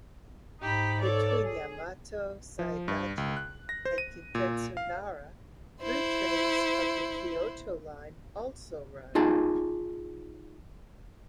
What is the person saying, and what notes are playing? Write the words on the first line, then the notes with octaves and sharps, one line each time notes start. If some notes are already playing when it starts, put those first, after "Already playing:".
Between Yamato-Saidaiji and Kintetsu Nara, through trains of the Kyoto Line also run.
G#2 D#4 G4 B5
A4 C#5 D5
G#4
F3
G2
C#2
F#6
A#6
C5
D#7
A#2
F5
E4 C5
D#4 F4 G#4 A5